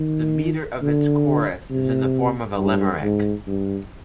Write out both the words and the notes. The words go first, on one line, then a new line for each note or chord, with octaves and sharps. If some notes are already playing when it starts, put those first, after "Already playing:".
The meter of its chorus is in the form of a Limerick.
Already playing: D#3
D3
C3
G2
G#2
G2